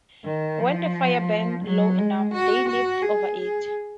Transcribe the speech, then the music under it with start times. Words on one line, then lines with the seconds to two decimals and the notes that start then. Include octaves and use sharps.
When the fire burned low enough, they leaped over it.
0.25 D#3
0.59 F3
1.64 F#3
1.98 G#3
2.33 F#4
2.68 F#4
3.02 G#4
3.38 G#4